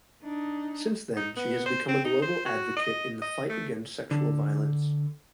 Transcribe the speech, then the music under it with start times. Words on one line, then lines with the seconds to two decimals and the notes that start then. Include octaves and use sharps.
Since then, she has become a global advocate in the fight against sexual violence.
0.24 D4 D#4
1.17 D#4
1.37 B3
1.66 C5
1.89 C4
2.05 D#4
2.22 C5
2.46 F#4
2.77 D#5
3.22 D#5
3.50 A3
4.11 D3